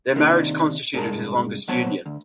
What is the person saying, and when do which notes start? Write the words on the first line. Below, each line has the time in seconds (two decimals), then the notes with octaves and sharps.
Their marriage constituted his longest union.
0.16 C3 D#3 A#3 D4 D#4
0.94 C2 G2 G#3 G#4 A#4 A5
1.68 C2 F#3 B3 C5 C#5 A5
2.06 D2